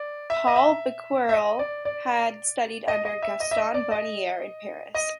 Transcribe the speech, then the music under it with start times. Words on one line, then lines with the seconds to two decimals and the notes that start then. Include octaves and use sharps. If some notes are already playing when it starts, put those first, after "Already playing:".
Paul Becquerel had studied under Gaston Bonnier in Paris.
Already playing: D5
0.30 E5
0.47 D#5
0.56 E5
1.29 E5
1.33 D#5
1.59 D5
1.85 D5
2.88 D#5
3.05 D#5
3.22 E5
3.40 D#5
3.51 E5
3.57 D#5
3.74 D5
3.91 D#5
4.95 D#5